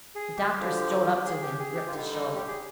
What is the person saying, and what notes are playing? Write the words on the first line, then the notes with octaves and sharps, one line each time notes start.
The doctor strode up to him and gripped his shoulder.
G#4
G4
D3 F3
G#4
G4
G#4
G4
F4
D3 G3 D#4
D#4
G4
G#4